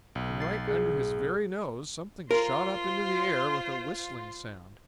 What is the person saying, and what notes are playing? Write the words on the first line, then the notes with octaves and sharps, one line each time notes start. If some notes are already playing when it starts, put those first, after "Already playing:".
From right under his very nose something shot up into the air with a whistling sound.
B1
A6 C7
G#4
F4 A#4 C5